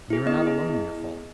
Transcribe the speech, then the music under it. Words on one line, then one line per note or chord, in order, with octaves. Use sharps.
And you are not alone in your fault.
E4 G#4
B3 D#5
E4 G#4